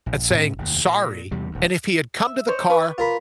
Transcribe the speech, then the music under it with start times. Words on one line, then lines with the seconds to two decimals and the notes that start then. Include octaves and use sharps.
and saying "Sorry," and if he had come to the car,
0.06 A#1
0.34 G#2 C#4
0.58 F1 D#2 A2
0.85 A#2
1.31 E2 C3 G3
1.51 D#1 D2
2.18 E5
2.49 C5 C#5 D#5
2.70 B4 C#6 D6
2.98 F4 A#4 B5